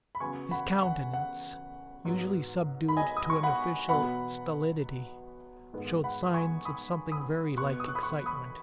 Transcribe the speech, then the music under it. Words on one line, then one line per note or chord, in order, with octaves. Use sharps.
His countenance, usually subdued to an official stolidity, showed signs of something very like excitement.
B5
C#3 F#3 B3 G#5 C#6
F#5 B5
F#5
F#5
G#2 F#3 B3
B5
D#5 G#5
D#6
C#6
F#5 B5
B2 F#3 B3 F#5 B5
G#2 D#3 G#3 B3
F#5 B5
D#6
G#5 C#6
B5 D#6
B5 D#6
B2 B3 C#6 F#6
D#6
F#6
B5 D#6
C#6 F#6
B5 D#6